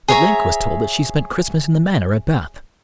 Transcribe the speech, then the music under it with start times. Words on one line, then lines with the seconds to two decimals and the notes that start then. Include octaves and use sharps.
"But Link was told that she spent Christmas in the Manor at Bath."
0.08 G#4 C#5 E5 A#5